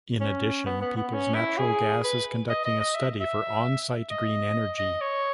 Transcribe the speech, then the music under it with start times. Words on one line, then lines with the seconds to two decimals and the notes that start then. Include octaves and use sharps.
In addition, Peoples Natural Gas is conducting a study for on-site green energy.
0.20 C#4
0.66 B3
0.81 B3
0.96 B3
1.13 C#4
1.35 E4
1.58 G#4
2.04 B4
2.49 D#5
2.65 D#5
2.80 D#5
2.95 E5
3.20 E5
4.10 D#5
4.78 D#5
5.01 C#5